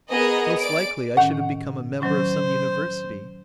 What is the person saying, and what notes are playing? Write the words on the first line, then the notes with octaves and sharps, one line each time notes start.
Most likely I should have become a member of some university.
B3 G#4 A#4 D#5
D5 D7
A2 D#3 C#4 F#5
D#3 F#3 C#4 C5